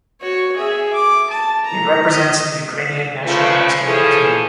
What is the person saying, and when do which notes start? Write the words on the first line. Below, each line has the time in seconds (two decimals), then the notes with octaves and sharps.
He represents the Ukrainian national basketball team.
0.21 F#4 C#5
0.56 G#4 E5
0.93 D6
1.30 A5
1.65 A#5
2.10 D#5
3.25 C#3 F3 A3 F4 B4
3.83 E3 F3 C#4 G#4 A4